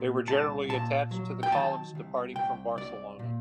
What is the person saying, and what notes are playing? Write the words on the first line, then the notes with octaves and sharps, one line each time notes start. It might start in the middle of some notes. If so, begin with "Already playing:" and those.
They were generally attached to the columns departing from Barcelona.
Already playing: A#2
C2 A5
A#2 A5
F#3
G5
D#3 A5
C2
C2 G5
C2 D5
A#2